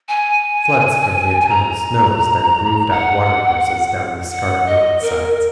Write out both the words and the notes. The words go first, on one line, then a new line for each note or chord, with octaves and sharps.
Floods from the eternal snows then grooved out watercourses down the scarred mountainsides.
G#5
A#5
F#5
F#5
D#5
A#4